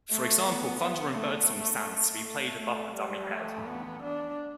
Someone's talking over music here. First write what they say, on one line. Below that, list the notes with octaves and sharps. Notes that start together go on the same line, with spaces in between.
For example thunder and birdsong sounds to be played above the dummy head.
A3
B3
B3
A3
A3
A3
G3
A3
B3
D4